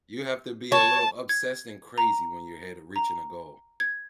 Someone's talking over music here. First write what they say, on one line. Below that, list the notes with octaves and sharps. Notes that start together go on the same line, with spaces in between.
You have to be a little obsessed and crazy when you're ahead of reaching a goal.
C#5 A5
G#6
A#5
A#5
G#6